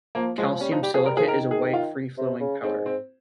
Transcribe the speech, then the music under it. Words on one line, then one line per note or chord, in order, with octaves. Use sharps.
Calcium silicate is a white free-flowing powder.
F3 A#3
F3 G#3
F3
G3 C#4
F3 D#4
G3 G4
F3 G#4
G3 A#4
F3 G#4
D#3 A#4
G#4
F4
C3
C#3
G#2 C4
C4